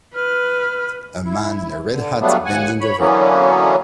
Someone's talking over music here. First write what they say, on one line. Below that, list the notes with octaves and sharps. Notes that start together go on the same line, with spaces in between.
A man in a red hat bending over.
B4 F6
E4
D3
C#3 F#3 G3 A3 B3 D4
D#2 F#5 G#5
C#5 B5
D3 E3 F#3 A#3 B3 C#4